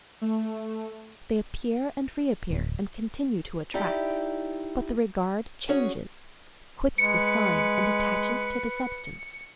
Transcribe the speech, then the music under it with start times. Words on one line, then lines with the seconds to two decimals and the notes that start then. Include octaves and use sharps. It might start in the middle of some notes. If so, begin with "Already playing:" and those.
They appear and reappear and continue to attract; but the regard changes, quits the sign and attaches to the substance.
0.21 A3
2.50 D1
3.74 D#4 E4 G4 D5
5.69 C#4 F#4 G#4 C#5
6.98 G#3 B4 C#7